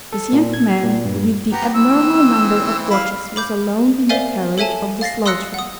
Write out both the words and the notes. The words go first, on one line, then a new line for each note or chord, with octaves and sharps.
This young man with the abnormal number of watches was alone in the carriage of the slow train.
A4
A#2
G#6
A#2
G2
B3 G4 A#5
E3 C4 E6
E4 B4 F5
B5 D6 G6
A#4 C5 D5 E5 F5 G#5
A4 C#5 E5 G#5 A5
F5 A6 A#6 C7
C6 D#6 E6 F#6 A#6 C#7
F#5 D#6